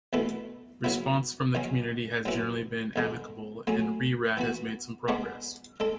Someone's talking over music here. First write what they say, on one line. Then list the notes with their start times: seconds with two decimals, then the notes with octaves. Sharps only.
Response from the community has generally been amicable and Re-Rad has made some progress.
0.13 E2 B2 A3 E4 B4
0.84 C#3 F#3 B3 E4
1.55 E2 B2 F#3 C#4
2.25 G#2 F#3 C#4 E4 B4
2.96 E2 D3 G#3 D4
3.67 A2 F#3 C#4 G#4
4.37 E3 B3 F#4
5.08 G#2 G#3 B3 D4
5.80 G#3 D4 A4